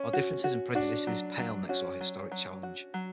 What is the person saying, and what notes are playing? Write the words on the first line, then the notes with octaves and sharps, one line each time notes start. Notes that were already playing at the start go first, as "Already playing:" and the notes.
Our differences and prejudices pale next to our historic challenge.
Already playing: C#4
F#4
F#4
D4 F#4
F#3
F#3
C#4 F#4
F#3
F#3
F#4
F#3